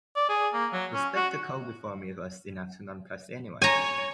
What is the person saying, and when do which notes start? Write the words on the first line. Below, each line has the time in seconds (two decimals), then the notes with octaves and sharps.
The spectacle before me was enough to nonplus anyone.
0.16 D5
0.29 G#4
0.53 A#3
0.73 F#3
0.93 C#4
1.16 F#4
3.62 C#5 G#5 A#5